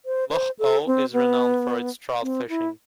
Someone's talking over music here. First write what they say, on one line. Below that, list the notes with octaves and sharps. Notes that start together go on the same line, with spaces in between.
Loch Awe is renowned for its trout fishing.
C5
C5
A4
C4
B3
C4
E4